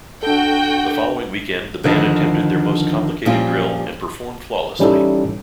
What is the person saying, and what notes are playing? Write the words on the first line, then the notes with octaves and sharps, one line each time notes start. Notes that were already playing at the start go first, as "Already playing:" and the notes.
The following weekend the band attempted their most complicated drill and performed flawlessly.
D4 F#4 A4 G5
F2 D3 D#3 F3
A#2 F3 G3 C#4 F4
E3 G3 C#4 D#4 E4 A4